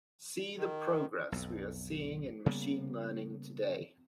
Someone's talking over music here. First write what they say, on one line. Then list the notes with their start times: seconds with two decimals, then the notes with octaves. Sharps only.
See the progress we are seeing in machine learning today.
0.57 D#3
1.32 B1 F2
2.46 C#3 G3 A#3 B3